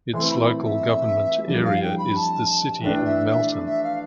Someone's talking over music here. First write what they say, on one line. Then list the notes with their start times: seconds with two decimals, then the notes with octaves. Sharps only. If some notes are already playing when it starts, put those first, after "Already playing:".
Its local government area is the City of Melton.
0.13 E3 A3 C4 C6
0.30 B5
0.63 E5
1.47 F2 E3 G3 D4 A4 D5
1.64 F5
1.82 G5
1.97 B5
2.15 A5
2.81 E3 A3 D4 G5
3.04 E5
3.26 E5
3.49 D5
3.65 E5
3.83 F5